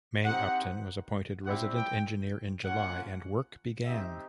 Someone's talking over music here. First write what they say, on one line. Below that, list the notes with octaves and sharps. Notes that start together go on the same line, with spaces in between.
May Upton was appointed resident engineer in July, and work began.
C4 D#4 G4 F#5
G3 C4 E4 G4 F#5
G5
A#3 C#4 F4 F#5
C4 D#4 G4 E5